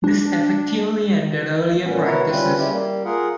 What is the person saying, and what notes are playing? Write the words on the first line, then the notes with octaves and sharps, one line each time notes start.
This effectively ended earlier practices.
D4
A#2 B3 C#4
B2 E4 A#4 C#5 F#5
G3 C4 C#4 F4 B4
C#3 G3 C#4 E4 G4
G3 A#3
F4 G#4 A#4 F#5